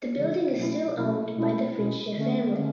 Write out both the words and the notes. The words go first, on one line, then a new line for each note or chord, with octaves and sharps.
The building is still owned by the Fritzsche family.
C#3 E3 G#3 D4
B2 F#3 A3 C#4 E4
B2 F#3 A3 C#4 E4
B2 G#3 C#4 E4
B2 G#3 C#4 E4
D3 A3 C#4
D3 A3 C#4